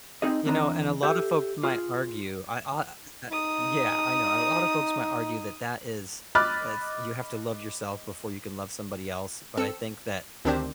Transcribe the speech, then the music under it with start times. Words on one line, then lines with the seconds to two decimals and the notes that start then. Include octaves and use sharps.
You know, and a lot of folks might argue I aw i uh yeah, I know, a lot of folks might argue that that is that's you have to love yourself before you can love somebody else, but I think that,
0.22 C4 D#4 G#4 D#5
0.45 E2 C4 D4 D#5 A#5
1.03 G4 A4 E5
1.63 F4 G#4
3.31 D#4 D#6
6.35 D#5 B5 D6 F6 F#6 A6
9.57 C4 A4 E6 C#7
10.45 D2 D#3 C4 D4 G4 C5